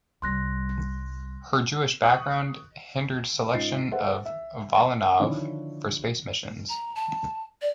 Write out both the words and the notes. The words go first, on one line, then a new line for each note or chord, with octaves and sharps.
Her Jewish background hindered selection of Volynov for space missions.
C2 G3 C6 F#6 A#6
C#6 D#6 F#6
G#2 C#4 F4 D#5 A6 C7
G#4 A4 B4 C5 E5 F#5
E5
D3 D#3 F3 D4 E4 C#5
A#5
A5
D5